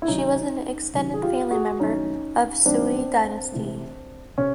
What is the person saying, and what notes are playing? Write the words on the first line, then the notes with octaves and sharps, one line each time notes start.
She was an extended family member of Sui Dynasty.
E4
C3 D#3 F#3 C#4 D#4
C3 D#3 F#3
G#4
F4 G4
F#4 G#4
G2 D#3 F#3 A3 C#4 D#4
G2 D#3 F#3 A3 C4 D4
C3 E3 A3
C3 C#4